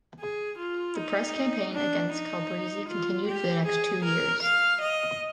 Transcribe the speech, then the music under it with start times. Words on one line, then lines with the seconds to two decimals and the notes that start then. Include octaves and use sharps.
The press campaign against Calabresi continued for the next two years.
0.20 G#4
0.58 F4
0.96 D#4
1.73 D4
2.12 D#4
2.88 F4
3.27 G4
3.66 G#4
4.04 A#4
4.42 F5
4.80 D#5